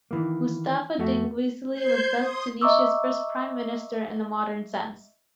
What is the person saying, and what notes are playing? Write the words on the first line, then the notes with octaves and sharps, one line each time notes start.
Mustapha Dinguizli was thus Tunisia's first Prime Minister in the modern sense.
D#3 E3 A#3
F2 A3 F#4
C5 C6 G6 G#6
C6 D#6
D#5 E5 A#5 C#6 D6 E6